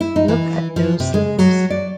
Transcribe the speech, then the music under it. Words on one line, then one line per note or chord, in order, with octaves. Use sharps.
Look at those sleeves!
E4
D#4
E3
F3
C3
G#3
F#3
D5